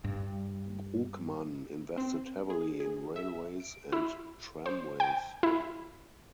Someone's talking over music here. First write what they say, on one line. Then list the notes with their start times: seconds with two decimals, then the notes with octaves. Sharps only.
Brugmann invested heavily in railways and tramways.
0.04 G2
1.98 C4
2.50 G#4
2.80 G#4
3.16 E5
3.60 D7
3.92 E4
4.66 C5
5.00 G5
5.43 E4